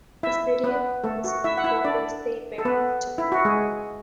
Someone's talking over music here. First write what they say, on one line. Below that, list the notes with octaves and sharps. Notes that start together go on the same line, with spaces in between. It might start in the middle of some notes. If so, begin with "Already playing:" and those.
The city of Kingsland borders Saint Marys to the west.
E4 E5
B3 B4
A3 A4
F#4
E4 E5
F#5
E4 E5
D4 D5
A4
B3 B4
E4
F#4
G#3 G#4